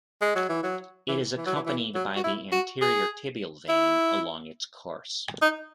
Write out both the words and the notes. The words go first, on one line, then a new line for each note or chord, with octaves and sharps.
It is accompanied by the anterior tibial vein, along its course.
G#3
F#3
E3
F#3
E3
E3
F#3
E3
E3
F#3
F#4
E4
F#4
G#4
E4
D#4